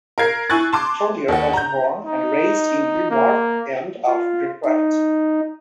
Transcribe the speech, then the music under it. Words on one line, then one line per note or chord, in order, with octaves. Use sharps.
Hollier was born and raised in the North End of Detroit.
A#4 F5 G#6 C7
E4 G#5 C#6 F#6 A6
A5 C6 D6
D#2 F#5
A#5 G6
D#4
A#3
F4
D#4